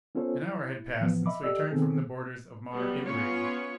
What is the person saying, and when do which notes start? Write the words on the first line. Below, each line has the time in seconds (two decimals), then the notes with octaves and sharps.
An hour had passed since we turned from the borders of Mare Imbrium.
0.15 B3 C#4 F4 A4 C5 C#5
0.41 E4
0.99 A2 E3 F3 B3
1.26 D#5 E5 B5 D6
1.43 G4 A4 D5 D#5 E6
1.71 B2 D#3 B3 C4 G#4 A4
2.72 F#3 G3 B3
3.07 B3 C#4 F4 C#5